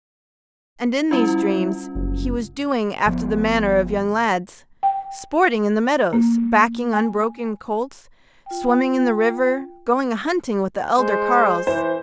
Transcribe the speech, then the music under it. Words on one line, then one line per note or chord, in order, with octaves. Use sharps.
And in these dreams he was doing after the manner of young lads, sporting in the meadows, backing unbroken colts, swimming in the river, going a-hunting with the elder carles.
G3 C#4 E4 F4
F#1
G1 F3 B3
G5
A#3
G#5
F4 G5
G#3 C5
E3 C5